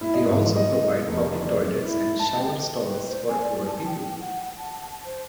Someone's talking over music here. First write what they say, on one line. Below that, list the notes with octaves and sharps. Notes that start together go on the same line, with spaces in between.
They also provide public toilets and shower stalls for poor people.
E4
D#5
G#2
D#5
F1
D5
E4
A5
G5
B4
C5
G#5
D5
A5
G5
F#5
A5
C5